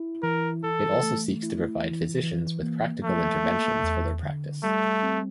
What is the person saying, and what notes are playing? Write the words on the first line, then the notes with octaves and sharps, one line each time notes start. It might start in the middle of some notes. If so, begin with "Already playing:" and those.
It also seeks to provide physicians with practical interventions for their practice.
Already playing: E4
E3 A#4
E3 A4
A3
E4
E3
E3
A#3
F3 A3
A#3
E2
D3
G3 A3
C4